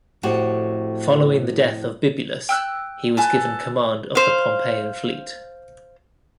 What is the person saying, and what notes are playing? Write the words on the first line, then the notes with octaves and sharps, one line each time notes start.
Following the death of Bibulus he was given command of the Pompeian fleet.
F2 A2 F#4 G4
G5 E6 F#6
A4 B4 G#5
C5 F5